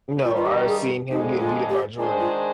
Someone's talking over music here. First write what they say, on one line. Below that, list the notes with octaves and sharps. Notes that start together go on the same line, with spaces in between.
No, I've seen him get beat up by Jordan.
G2 D#3 G3 F4
F4
G4
G#4
F2 D3 G#3 D#4
F4
G4
D#3 G#3 D4 F4 G#4 C5
F4